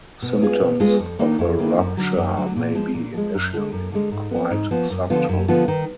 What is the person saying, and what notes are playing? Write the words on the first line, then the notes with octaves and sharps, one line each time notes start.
Symptoms of a rupture may be initially quite subtle.
B2
G#3 B3 F4 G#4
B2
G#3 B3 F4 G#4
F2
D#3 A#3 D4
F2
D#3 A#3 D4
F#2
D3 F#3
F#2
D3 F#3
A#2
F3 G#3
A#2
F3 G#3
F#2
D3 G#3
F#2
D3 G#3
G#2
F3 B3
G#2
F3 B3
F#2
D3 F3 B3 F4
F#2
D3 F3 B3 F4
D#3